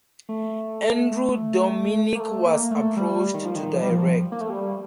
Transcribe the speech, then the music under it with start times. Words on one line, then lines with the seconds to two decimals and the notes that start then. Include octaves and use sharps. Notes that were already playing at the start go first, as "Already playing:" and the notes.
Andrew Dominik was approached to direct.
0.29 A3
2.15 A#3
2.20 A3
2.46 A#3
2.71 A3
2.96 G3
3.34 D#3
3.45 F3
3.55 D#3
3.73 F3
3.81 G3
3.90 F3
4.32 A#3
4.41 A3
4.50 G3